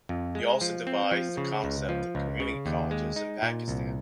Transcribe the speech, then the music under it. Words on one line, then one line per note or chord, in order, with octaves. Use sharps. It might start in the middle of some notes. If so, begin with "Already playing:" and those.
He also devised the concept of community colleges in Pakistan.
F2
G#3
F3
C4
F3
C#3
C#2
F3
C#2
C#3
D#2
G#3
D#4
A#2
C2